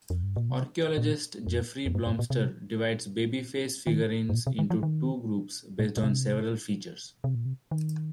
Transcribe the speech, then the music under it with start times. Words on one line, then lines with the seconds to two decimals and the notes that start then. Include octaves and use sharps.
Archaeologist Jeffrey Blomster divides baby-face figurines into two groups based on several features.
0.10 F2
0.23 G2
0.36 A#2
0.50 C3
0.98 A#2
1.47 F2
1.86 F2
1.95 G2
2.07 G2
2.19 A#2
2.30 C3
3.87 D#3
4.29 G2
4.34 A#2
4.47 C3
4.59 D#3
4.70 F3
4.83 D#3
5.79 A#2
5.97 A#2
6.03 C3
7.24 C3
7.35 A#2
7.45 C3
7.71 D#3